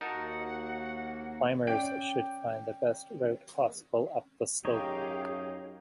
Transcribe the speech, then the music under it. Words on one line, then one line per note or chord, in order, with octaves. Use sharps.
Climbers should find the best route possible up the slope.
D#2 A#3 D#4 F#4 A#4 F#5 A5
C#4 D5 G5 D7
F#2 D#4 G4 G#4 C#5 F5